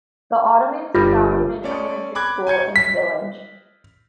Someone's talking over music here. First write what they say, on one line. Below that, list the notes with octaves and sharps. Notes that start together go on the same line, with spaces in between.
The Ottomans founded an elementary school in the village.
G1 G3 F4
A3 C#4 A4 D5
B5 D6 F#6 G#6
G#5 G6 G#6 C#7
B6